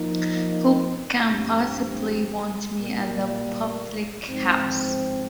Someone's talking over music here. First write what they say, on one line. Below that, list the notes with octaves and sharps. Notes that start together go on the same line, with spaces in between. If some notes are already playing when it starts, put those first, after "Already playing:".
Who can possibly want me at the public-house?
Already playing: F3 A#3 D#4
G2 F3 C4 G4
A#2 G3 A#3
G#2 F3 C4